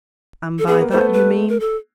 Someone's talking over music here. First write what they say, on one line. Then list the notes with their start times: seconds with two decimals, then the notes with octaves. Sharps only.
"And by that you mean?"
0.59 A4
0.67 B3 G#4
0.81 A#3
0.90 A3 B3 C5
1.13 B4
1.49 A#4
1.60 A4